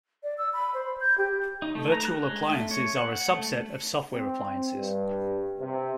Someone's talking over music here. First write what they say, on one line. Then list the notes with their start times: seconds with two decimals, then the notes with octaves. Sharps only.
Virtual appliances are a subset of software appliances.
0.23 D5
0.38 E6
0.53 B5
0.74 C5
1.00 G6
1.18 G4
1.62 D#4
1.75 A3
1.92 A#5
2.05 F#6
2.23 G#3
2.47 A3
2.71 C#5
2.96 F#5
3.30 A3
4.14 C4
4.75 G2
5.59 C3